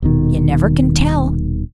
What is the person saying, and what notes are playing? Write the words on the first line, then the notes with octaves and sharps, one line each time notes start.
You never can tell.
D#1 B2 D#3